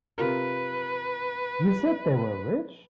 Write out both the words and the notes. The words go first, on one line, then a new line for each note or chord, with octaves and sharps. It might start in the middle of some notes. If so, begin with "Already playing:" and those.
You said they were rich?
C3 F4 A#4 B4